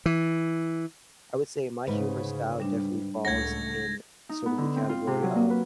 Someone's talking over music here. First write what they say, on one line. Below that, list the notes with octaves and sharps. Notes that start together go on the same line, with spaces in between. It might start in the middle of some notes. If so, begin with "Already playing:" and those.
I would say my humor style definitely falls in sort of the category of
E3
D2 G#2 C#3 B4
G3 D4
C#2 A2 A3 C#5 F#5 G#6 A#6
D#4
B3
D3
C4
F4
C3
F#3
A#3
B4